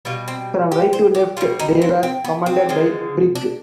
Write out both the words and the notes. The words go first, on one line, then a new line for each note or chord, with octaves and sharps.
From right to left, they were commanded by Brig.
B2 G3 F4
C4
G4
C5
G4
B2 G3 F4
D#4
C4
C4
B3
C4
D3 F3 G#3
D4